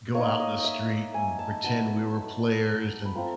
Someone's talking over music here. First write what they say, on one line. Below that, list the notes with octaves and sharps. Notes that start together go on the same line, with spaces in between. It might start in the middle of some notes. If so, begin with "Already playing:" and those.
go out in the street and pretend we were players and
A#3 D#4 C#5
D#5
D#5
E5
E5
G#5
A5
F#3 B3 D#4 A5
B5
A3 C4 F4 A#5